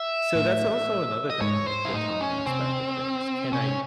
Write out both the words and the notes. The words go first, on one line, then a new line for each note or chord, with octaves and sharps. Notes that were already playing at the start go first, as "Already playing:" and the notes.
so, that's also another thing, like, the time aspect of things. Can I
Already playing: E5
A2
D#5
G#2 C#5
C5
E4
A2 D#4
C#4
C3 C4
C3 C#4